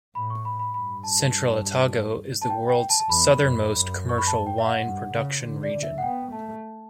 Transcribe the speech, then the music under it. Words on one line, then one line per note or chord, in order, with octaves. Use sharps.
Central Otago is the world's southernmost commercial wine production region.
A2 B5
C#6
B5
B5
G2 B5
A5
A5
G5
G5
A5
A5
E2 B5
F#2
F#2
C#6
B5
A5
G5
E5
F#5
G2
C#3
D3
D5
D3
E5
F#5
B3 G5
A3 A5